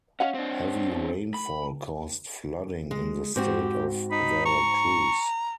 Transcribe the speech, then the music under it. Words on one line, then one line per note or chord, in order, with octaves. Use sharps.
Heavy rainfall caused flooding in the state of Veracruz.
C#4 D#5 F5 F#5
C4 D4
A4
B5
G#3
G#2 C4 F#4 G4
D#4 B5
A#5 C#6